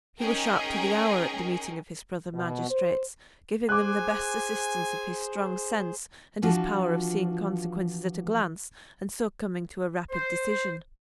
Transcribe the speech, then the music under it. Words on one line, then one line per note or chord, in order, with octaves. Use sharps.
He was sharp to the hour at the meeting of his brother magistrates,--giving them the best assistance of his strong sense, and his power of seeing consequences at a glance, and so coming to a rapid decision.
C#4 D#4 G#4 A#4 G5
B2
C5
G#4 C5 G#5 D6 F#6
E3 F3 D4 F4 F#4
C5